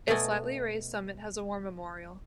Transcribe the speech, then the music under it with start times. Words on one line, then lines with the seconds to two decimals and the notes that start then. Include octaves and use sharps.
Its lightly raised summit has a war memorial.
0.08 B2 A3 D5 D#5 G#5